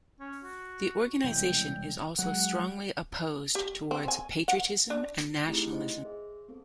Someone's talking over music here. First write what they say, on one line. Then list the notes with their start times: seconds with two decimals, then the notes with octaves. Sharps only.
The organisation is also strongly opposed towards patriotism and nationalism.
0.20 C#4
0.44 F#4
1.24 E1 C2 G5
2.19 F#3 G#3 F#5
3.55 G4
3.91 C4
4.08 G#5
4.48 F#5
4.90 D4
5.47 A3 C4 D#4 E4 G4 G#4
5.73 C5 D#5 F#5
6.05 G#4 C5 E5
6.48 B3 C4 A4